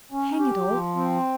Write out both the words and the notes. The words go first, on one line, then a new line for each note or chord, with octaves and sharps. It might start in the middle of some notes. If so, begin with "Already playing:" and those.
Hang it all!
C#4
G4
F3
C4